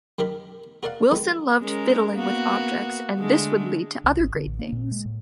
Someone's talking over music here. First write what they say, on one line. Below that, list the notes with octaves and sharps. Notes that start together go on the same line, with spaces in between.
Wilson loved fiddling with objects and this would lead to other great things.
F#2 D#3 G4 A#4 B5
F#4 A#4 D5 F5 F#5
F2 G#2 D#3
G#3 C#4 A#4
A#3 B3 F#4
D3 G#3 A3
C2
G#1
D3
A1
A#3
A#2
G#3
A2